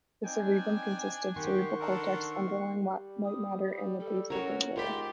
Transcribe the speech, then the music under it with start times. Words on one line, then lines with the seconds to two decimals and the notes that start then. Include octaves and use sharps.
The cerebrum consists of the cerebral cortex, underlying white matter, and the basal ganglia.
0.24 C4 D4 D#4 G5 G#5
1.36 D#3 G4 F#5 C6 C#6
1.80 D4 A4 A#4
2.81 G3
3.25 D#6
3.62 G3
4.00 G3 A4
4.30 C#4 F#4 A#4 C#5
4.76 G#2 F4 G4 A#4 B5 C6